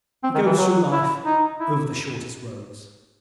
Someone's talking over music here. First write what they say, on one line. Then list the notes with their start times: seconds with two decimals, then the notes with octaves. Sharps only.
He goes through life over the shortest roads.
0.23 C4
0.35 D#3
0.46 E3
0.58 F#3
0.92 E4
1.26 D#4
1.60 E4